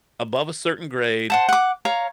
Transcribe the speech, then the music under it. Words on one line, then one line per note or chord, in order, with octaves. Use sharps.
above a certain grade
C5 F#5 A5
F#5 D6
C#5 F5 A#5